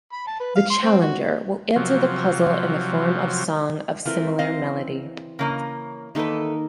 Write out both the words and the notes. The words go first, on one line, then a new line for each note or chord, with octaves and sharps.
The challenger will answer the puzzle in the form of song of similar melody.
B5
A5
B4
F5
C6
C4
F#4
C3 F3 F#3
E3 A3 C4 F4 A#4
C4 D#5 F5
C#3 A#3 D#5
E2 D#3 A#3 D#4 A4 B4